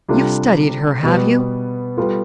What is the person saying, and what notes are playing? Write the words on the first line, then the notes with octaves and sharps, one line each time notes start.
You've studied her, have you?
C3 G3 D4 F4 A4
B2 G3 B3
G3 B3 F4 A4